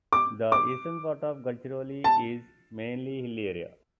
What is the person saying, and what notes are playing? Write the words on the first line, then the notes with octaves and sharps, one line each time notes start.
The eastern part of Gadchiroli is mainly hilly area.
D6
D6
A5